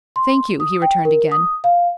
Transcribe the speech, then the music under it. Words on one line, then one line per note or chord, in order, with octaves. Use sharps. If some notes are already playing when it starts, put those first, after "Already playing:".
"Thank you," he returned again.
C6
D#6
G5
A#4
D#6
F5